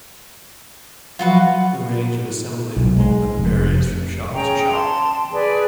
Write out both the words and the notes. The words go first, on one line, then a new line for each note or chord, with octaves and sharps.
The range of assembly involvement varies from shop to shop.
F3 F#3 F4 F#4 B4
B1
G#3
F1
C#4 G#4 G5 A#5
A5 C6
G#4 B4 D5